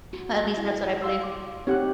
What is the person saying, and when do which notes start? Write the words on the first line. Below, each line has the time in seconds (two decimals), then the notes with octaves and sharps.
At least, that's what I believe.
0.13 F#4
0.57 E4
1.02 F5 C6 E6
1.24 D6
1.67 C4 D#4 G4 C#5 F#5 F#6